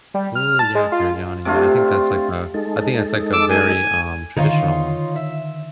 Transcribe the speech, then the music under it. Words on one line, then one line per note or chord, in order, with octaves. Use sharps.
Ooh, yeah. Biryani, yeah, I think that's like, a I think that's, like, a very, um, traditional one.
G3
F6
A5
G#3
F4
C3 A3 D4 F4
G#3 D#4 A4
D6 E6
G#5
D3 D#3 D#4 F4 C#5
E5